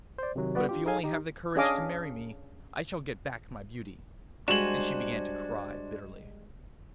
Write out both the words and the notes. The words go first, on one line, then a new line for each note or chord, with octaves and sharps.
But if you only have the courage to marry me I shall get back my beauty.' And she began to cry bitterly.
C5 D5
C3 D#3 F#3
G3 B3 F#4 B4 D5
D4 F4 G4
D#4 G#4 A4 F5 G#5
D#4 G4
C#4 D4 G#4 D#5 F5 D6
G3 G#3 D4 F#4 C5 G#5 E7 F#7